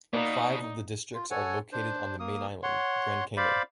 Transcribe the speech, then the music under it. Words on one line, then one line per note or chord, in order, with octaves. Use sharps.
Five of the districts are located on the main island, Grand Cayman.
B2 A#3 D#4 D5
F4
A4 C#5 F#5 G#5
D4 C5
A#3 D#6
C#5 F#5 C6
C5 D5 F5 B5